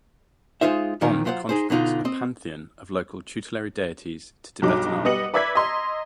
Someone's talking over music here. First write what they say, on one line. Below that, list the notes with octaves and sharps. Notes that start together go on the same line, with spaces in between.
Bon contributes a pantheon of local tutelary deities to Tibetan art.
G#3 A3 D#4 F4 C5 E5
A#2 D#3 F3 A#4
F#3 F4 C5 D5 F#5
D#4 G#4 C5
B2 D3 D#4 F4
C4 D#5
B1 G2 F#3 D#4 D6
G3 B3 D#5 C#7 F#7
B4 D5 E5 E6 G#6 B6
D#5 A#5 C6